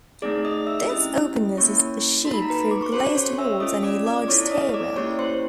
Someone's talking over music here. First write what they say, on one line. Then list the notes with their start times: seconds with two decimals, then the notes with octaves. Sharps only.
This openness is achieved through glazed walls and a large stairwell.
0.22 A3 C4 D#4 G#4 D5 D6
0.45 D#5 D#6
0.67 E5 E6
0.90 C#4 E4 G4 D#5 D#6
1.57 A#3 C#4 E4 C#5 C#6
2.25 A#3 D#4 F#4 A4 C6
2.34 B5
2.42 A#5
2.50 B4 B5
2.71 D6
2.82 C#6
2.93 C#4 F#4 A4 C5 C6
3.15 C#5 C#6
3.38 E5 E6
3.60 C#4 F4 A4 D#5 D#6
3.83 D5 D6
4.06 D5 D6
4.28 B3 E4 A4 C#5 C#6
4.51 D#5 D#6
4.74 D5 D6
4.96 A#3 C#4 E4 G4 C#5 C#6
5.13 C#6
5.19 C5 C6